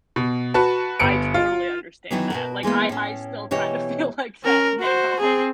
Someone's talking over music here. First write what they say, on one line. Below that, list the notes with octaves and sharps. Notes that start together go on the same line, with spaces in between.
I totally understand that, like, I I still kinda feel like that now.
B2
F#4 B4 A5
G1 B3 C#7 D7
F4
D#3 E3 F#3 B3
B2 F#4 A#4
E3 G#3 A#3 B3
A2 C#4
B2 E3 G4 C#5 D#5
C#4 A#4
F#4 C5
C4 G#4